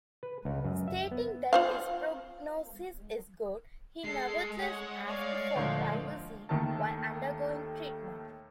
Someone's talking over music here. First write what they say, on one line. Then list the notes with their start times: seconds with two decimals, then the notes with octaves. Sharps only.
Stating that his prognosis is good, he nevertheless asked for privacy while undergoing treatment.
0.23 B4
0.45 C#2
0.64 F#2
0.88 E5
1.11 B3
1.53 F4 C5 F5
4.04 G#3 A4 C7
4.59 C#5 F#5
5.04 C#5 D5 F5
5.56 D2 A#2 F3
6.49 D#2 D#3 A3 A4 A#4 A5